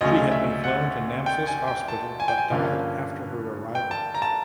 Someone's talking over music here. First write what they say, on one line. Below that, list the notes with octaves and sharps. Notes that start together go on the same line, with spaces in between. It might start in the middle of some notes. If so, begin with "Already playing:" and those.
She had been flown to Namsos Hospital but died after her arrival.
D2 C#3 F#3 A3 C#4 D#5
E5
F#5
G5
G#5
G5
A5
G#5
G5
G#5
G2 D3 F3 A#3 C#4
G5
A5
A#5
A5